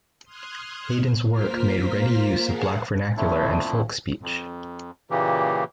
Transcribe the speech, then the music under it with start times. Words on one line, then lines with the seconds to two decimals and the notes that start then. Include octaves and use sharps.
Hayden's work made ready use of black vernacular and folk speech.
0.25 C6 D#6 F6 F#6 G#6
1.30 A#3 F4 A#4 C5 F6 B6
2.44 G#4 A#4 F5 F#5 G#5 A5
3.17 F2 A#2 F3 A3 D4 E4
4.21 F2
5.10 A#2 C#3 E3 A#3 G4